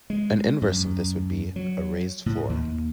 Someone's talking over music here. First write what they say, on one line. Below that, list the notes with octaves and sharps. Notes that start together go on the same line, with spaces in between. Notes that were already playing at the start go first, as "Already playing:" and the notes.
An inverse of this would be a raised floor.
G#3
F#2
F#3
A2
D#2